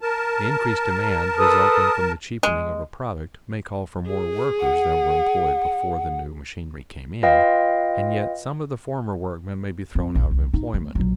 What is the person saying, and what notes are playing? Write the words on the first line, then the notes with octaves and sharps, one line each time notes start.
The increased demand resulting from the cheapening of a product may call for more workers than were employed before the new machinery came in, and yet some of the former workmen may be thrown out of employment.
A#4 A5
A4 B4 D#6
G#3
G#4
F#5
F4 B4 D#5 F5 G5
C4
A#1
C2
D#4
A3
A#1 F#3